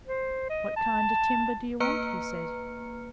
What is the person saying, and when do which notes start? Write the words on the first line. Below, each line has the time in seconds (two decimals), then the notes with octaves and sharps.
"What kind of timber do you want?" he said.
0.07 C5
0.49 D#5
0.76 A5
1.80 A#3 B4 A#5 F6 C#7